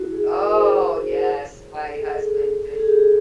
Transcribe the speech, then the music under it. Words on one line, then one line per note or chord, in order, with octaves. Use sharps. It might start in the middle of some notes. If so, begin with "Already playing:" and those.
Oh, yes, my husband fished
Already playing: E4 F#4
G#4
A#4
C#5
C5
C#5
A4
G#4
A4
G#4
G4
G#4